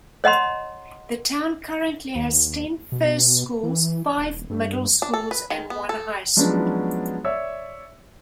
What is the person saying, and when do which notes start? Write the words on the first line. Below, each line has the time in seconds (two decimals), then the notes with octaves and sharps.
The town currently has ten first schools, five middle schools and one high school.
0.24 C#5 D#5 F#5 A#5 C6
2.15 D#2
2.92 B2
3.63 E3
4.18 D#1
4.50 G2
5.02 D4
5.14 A4
5.31 B4
5.50 D#3
5.70 B3
5.89 A4
6.37 F3 F#3 G#3 B3 C#4 D4
7.24 C#5 D5 E5 E6